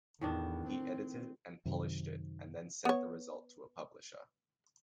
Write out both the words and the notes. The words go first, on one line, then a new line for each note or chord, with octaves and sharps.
He edited and polished it and then sent the result to a publisher.
E2 A2 D#3 D4
C4
F#2 C3 D#3
B3 C#5